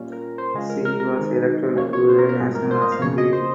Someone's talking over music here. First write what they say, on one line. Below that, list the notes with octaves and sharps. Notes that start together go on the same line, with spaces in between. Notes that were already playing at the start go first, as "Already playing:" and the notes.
She was elected to the National Assembly.
Already playing: A#2 G3 C#4 F4
A#4
C5
C#3 G#3 C#4 F4
A#4
A#4
A#4
D#3 G#3 D#4
C#3 F3 A#3 C#4 F4 C#5
C#5
C5
A#4
A#4
G#2 G3 A#3 F4 G#4
A#4
C5
D#5
F5
F2 C#3 F3 A#3 C#5
D#5
C5